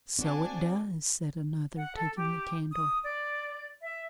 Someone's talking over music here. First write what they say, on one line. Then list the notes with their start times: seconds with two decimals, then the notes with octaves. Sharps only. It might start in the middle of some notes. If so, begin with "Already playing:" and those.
"So it does," said another, taking the candle.
0.19 D2 C4 D4 F#4 D5 G#5 A5
1.76 F#5
1.96 A4
2.18 G4
2.71 D#6
3.03 D5
3.81 E5